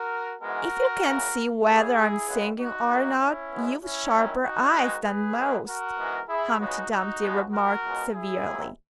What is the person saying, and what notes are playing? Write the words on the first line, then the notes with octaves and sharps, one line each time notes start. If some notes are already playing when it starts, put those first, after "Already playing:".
'If you can SEE whether I'm singing or not, you've sharper eyes than most.' Humpty Dumpty remarked severely.
Already playing: F#4 A#4
G#2 E3 G#3 B3 F#4 A#4
E2 C#3 E3
F#2 C#3 E3 A#3 E4 G#4
F#2 C#3 G#3 B3
D#4 F#4
F#2 D#3 A#3
C#4 E4
B2 G#3 B3
C#4 E4
F#2 D#3 F#3
D#4 F#4
G#2 D#3 G#3 B3
G#4 B4
G#2 D#3 F#3 A#3
F#4 A#4
G#2 E3 G#3 B3
E4 G#4
C#2 C#3 G#3 B3 D#4 F#4
D#4 F#4
C#2 B2 G#3 B3
F#4 A#4
C#2 B2 G#3
E4 G#4
D#2 D#3 F#3